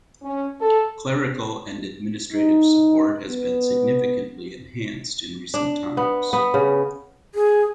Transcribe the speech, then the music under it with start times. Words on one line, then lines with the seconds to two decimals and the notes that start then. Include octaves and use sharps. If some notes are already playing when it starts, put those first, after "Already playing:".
Clerical and administrative support has been significantly enhanced in recent times.
0.23 C#4
0.61 A4
2.33 D#4
3.29 B3
5.54 D4
5.97 B3
6.33 B3
6.54 C#3
7.35 G#4